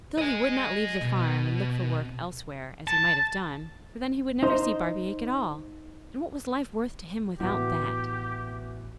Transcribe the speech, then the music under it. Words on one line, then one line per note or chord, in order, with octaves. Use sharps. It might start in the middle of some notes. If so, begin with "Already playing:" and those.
Still he would not leave the farm, and look for work elsewhere, as he might have done, for then he would never see Barbaik at all, and what was life worth to him without that?
D#5 G#5
B2
A5
D#4 C5
A1 E3 B3 F#4 G4